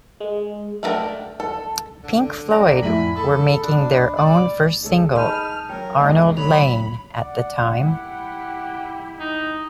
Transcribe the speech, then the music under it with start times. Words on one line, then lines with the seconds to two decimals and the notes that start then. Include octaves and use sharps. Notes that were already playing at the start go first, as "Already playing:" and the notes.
Pink Floyd were making their own first single, "Arnold Layne", at the time.
0.20 G#3
0.83 A3 A#3 D4 A#4 G5
1.40 A4
2.03 D3
2.50 D5 G5 A#5
2.82 F2 A2 E4 G#5 B5
3.16 G#4 A4 B5
3.62 D4
4.17 G3 D5
4.83 G#3 C#4 A4
5.16 D#4 G#4 B4 A5 F6 G6 D#7
5.69 F#3 C#4 A#4 G5
5.99 B1 F2 G#2 D#5
6.37 F#3 B5 F7
7.13 D5 F#5
7.82 E4 G4 G5
9.20 D#4